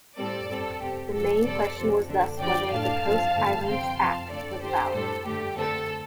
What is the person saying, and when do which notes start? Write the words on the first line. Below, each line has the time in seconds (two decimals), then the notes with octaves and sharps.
The main question was thus whether the "Coast Islands Act" was valid.
0.17 A2 G3 C4 A4 D5
0.49 G2 G3 C4 A4
0.81 C3 A3 C4 G4
1.13 F2 F3 D4 A4
1.45 C3 G3 C4 A4 D5
1.77 C3 F3 C4
2.08 D3 A3 D4
2.40 D3 F3 D4 D5 G5
2.72 A2 A3 D4 F5 A5
3.04 G2 F3 C4
3.35 G2 D3 F3 A3 C4
3.67 C3 F3 C4 G5 C6
3.99 F2 F3 C4 F5 A5
4.30 D3 A3 D4 A4 D5
4.62 D3 A3 D4 G4 C5
4.94 A2 G3 D4 A4
5.26 G2 D3 A3 G4
5.58 D3 A3 C4 A4